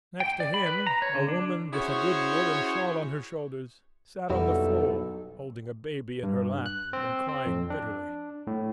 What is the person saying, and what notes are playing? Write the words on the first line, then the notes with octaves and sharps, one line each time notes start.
Next to him a woman, with a good woollen shawl on her shoulders, sat on the floor holding a baby in her lap and crying bitterly.
G5
D5
B5
B4
A#5
C#5
D3
D4
C#4 E4 F#4 G#4 C5 C#5
B1 F2 G3 E4 F#4 A4
G2
F#6
C4
C4
F2
D4
A2